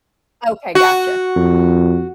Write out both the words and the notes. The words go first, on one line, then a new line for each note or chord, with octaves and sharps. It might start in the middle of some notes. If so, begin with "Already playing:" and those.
Okay, gotcha.
F#4
F2